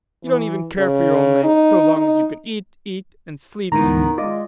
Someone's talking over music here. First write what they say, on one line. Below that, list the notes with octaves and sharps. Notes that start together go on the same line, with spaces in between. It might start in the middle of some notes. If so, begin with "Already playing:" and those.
You don't even care for your own legs--so long as you can eat, eat, and sleep, sleep.
E3
C#3
D#4
D#4
D2 G#2 D#3 E3 B3 A#5
G#3 F4 D5 D#5